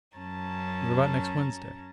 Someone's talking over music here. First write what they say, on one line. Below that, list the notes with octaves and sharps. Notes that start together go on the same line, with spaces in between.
"What about next Wednesday?"
F#2 C#4 A5 A#5